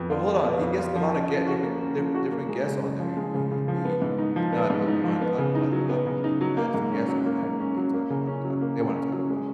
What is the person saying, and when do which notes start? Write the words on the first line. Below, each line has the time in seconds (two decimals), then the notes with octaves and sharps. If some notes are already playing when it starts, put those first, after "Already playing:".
but hold on. He gets a lot of ge different dif d different guests on there, he oh, he he he's not the one talking about the topics, he has the guests on there, and they talk about the topics they wanna talk about
Already playing: F2 B3
0.10 F4
0.27 F3
0.44 B3
0.61 F2
0.78 F4
0.96 F3
1.13 C#4
1.29 F3
1.47 F#4
1.64 A#3
1.80 C#4
1.97 F3
2.15 F#4
2.31 A#3
2.49 G#3
2.66 C#3
2.83 C#3
2.99 F3
3.17 G#3
3.34 C#3
3.51 C#3
3.68 F3
3.85 B3
4.02 G#2
4.18 D#4
4.36 F3
4.53 B3
4.70 G#2
4.87 D#4
5.04 F3
5.21 B3
5.38 C#3
5.55 D#4
5.72 F#3
5.89 B3
6.06 C#3
6.24 D#4
6.41 F#3
6.57 A#3
6.74 G#2
6.92 C#4
7.08 F#3
7.25 A#3
7.42 G#2
7.59 C#4
7.77 F#3
7.93 A#3
8.10 C#3
8.27 C#4
8.45 F#3
8.61 A#3
8.79 C#3
8.96 C#4
9.13 F#3
9.30 G#3